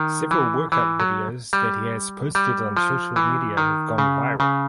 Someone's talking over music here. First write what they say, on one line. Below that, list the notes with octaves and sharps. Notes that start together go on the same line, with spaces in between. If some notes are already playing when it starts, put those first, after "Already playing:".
Several workout videos that he has posted on social media have gone viral.
Already playing: D#3
E3
E3
F#3
G3
G3
F3
E3
D#3
C#3
C#3